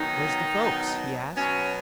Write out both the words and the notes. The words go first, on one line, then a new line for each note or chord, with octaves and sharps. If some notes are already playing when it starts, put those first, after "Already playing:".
"Where's the folks?" he asked.
Already playing: B2 D#3 F#3 D#4
B2 F#3
B2 F#3 C#4